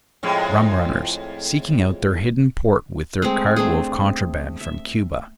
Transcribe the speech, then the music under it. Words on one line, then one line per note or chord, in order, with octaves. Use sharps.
Rum-runners, seeking out their hidden port with their cargo of contraband from Cuba.
F2 A2 G#3
G#3 A3 C4
A3 C4 D4 G#4
E5